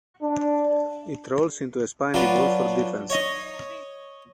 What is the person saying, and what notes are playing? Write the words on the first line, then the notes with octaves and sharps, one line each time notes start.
It rolls into a spiny ball for defense.
D4
F#3 D4 F4 B4
C#5 D#5